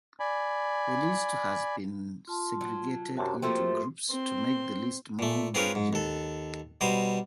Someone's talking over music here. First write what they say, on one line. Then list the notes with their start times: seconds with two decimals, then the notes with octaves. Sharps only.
The list has been segregated into groups to make the list more manageable.
0.20 D5 G#5 B5
2.28 F4 A5 C6
2.61 F#3
3.17 F#2 C3 F#4 G4 A5
3.42 F3 A3 A#3 C4 C6
4.10 C4 C6
5.19 A#2 A3
5.54 C4 F4 G#4 A#4 B4 C#5
5.75 G#2
5.93 D#2 A4
6.81 B2 G3 C5 A#5 D#6